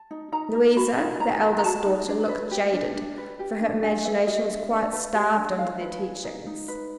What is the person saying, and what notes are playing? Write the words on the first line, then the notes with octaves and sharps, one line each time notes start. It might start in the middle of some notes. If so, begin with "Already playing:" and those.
Louisa, the eldest daughter, looked jaded, for her imagination was quite starved under their teachings.
Already playing: A5
D#4
D#4 A#5
A#4
F#4 B5
D#4
D#4 A#5
A#4
A#5
F#4 A5
D#4
D4
B4
G4
D4
D4
B4
G4
D4
D4 G#5
B4 E5
G4 D#5
D4 E5
D4
B4
G4
D4
D#4 F5
B4
G#4
D#4
D#4
B4